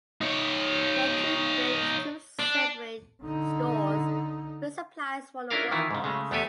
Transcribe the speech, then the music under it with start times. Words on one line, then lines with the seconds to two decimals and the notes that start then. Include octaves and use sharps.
They, too, built two separate stores with supplies for the workers.
0.21 D#4 C#5
2.40 D4
3.23 D3 D#4
5.50 C#4 D4 E4 F4 A#4 F5
5.71 D#3 E3 E4 F4
5.91 G#2 C#3
6.04 C#3 G#3 A3
6.31 E2 A3 B3 G4 A4 G#5